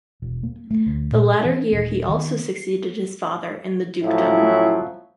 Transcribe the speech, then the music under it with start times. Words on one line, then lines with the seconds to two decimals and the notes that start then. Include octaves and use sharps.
The latter year he also succeeded his father in the dukedom.
0.22 E1
0.43 A#3
0.71 A3
0.86 D2
1.12 A#2
1.45 E3
1.72 D#1
2.09 D#3
4.03 A2 F3 F#3 C#4 E4